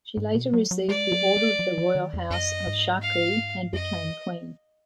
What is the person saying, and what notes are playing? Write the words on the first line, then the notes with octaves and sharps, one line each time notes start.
She later received the Order of the Royal House of Chakri, and became queen.
G#2
B2
F#3
F#3
G#3 D5
F#3
G#3
F#3
F3
D#3
F2
F#2 D#5
G#2
F5
F#2 D#5